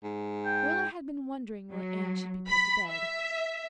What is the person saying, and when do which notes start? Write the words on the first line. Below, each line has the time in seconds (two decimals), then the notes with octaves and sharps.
Marilla had been wondering where Anne should be put to bed.
0.03 G#2
0.46 G5
1.71 F#3
2.47 B5
2.87 E5